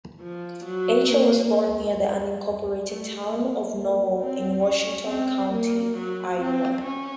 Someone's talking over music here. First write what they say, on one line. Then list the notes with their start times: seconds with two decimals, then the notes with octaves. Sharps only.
Eicher was born near the unincorporated town of Noble in Washington County, Iowa.
0.21 F3
0.65 F#3
1.09 A#3
2.87 A3
3.31 A#3
4.20 C4
4.64 C#4
5.08 C4
5.53 A#3
5.97 F#3
6.41 C4
6.85 C#4